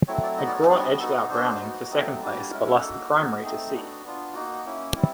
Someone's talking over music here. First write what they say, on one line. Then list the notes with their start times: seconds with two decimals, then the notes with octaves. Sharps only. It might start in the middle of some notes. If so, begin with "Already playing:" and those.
McGraw edged out Browning for second place but lost the primary to See.
0.08 F#3 A3 C4 E4 C#5
0.23 D5
0.38 B3 D#4 F#4 D#5
0.47 D5
0.54 C#5
0.69 G3 B3 D4 F#4 G#4
0.84 G#4
0.99 B3 D#4 F#4 A4
1.15 A4
1.30 A#3 D4 F#4 C5
1.60 B3 D#4 F#4
1.90 F#3 A3 C4 D#4
2.21 G3 A#3 D4 F#4
2.51 G#3 C#4 E4 A#4
2.67 A4
2.82 A#3 D#4 F#4
3.12 B3 D#4 F#4
3.43 A3 C4 D#4 G#4
3.73 B3 D4 F#4
4.04 B3 D4 F4
4.34 A#3 D#4 F#4
4.65 A#3 C#4 E4
4.95 G3 C4 E4